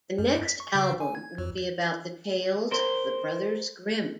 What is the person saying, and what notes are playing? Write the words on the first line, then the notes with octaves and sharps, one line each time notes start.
The next album will be about the tales of the brothers Grimm.
F#2
B6
C#6
C#3
G#5
G#6
F2
A#4 C5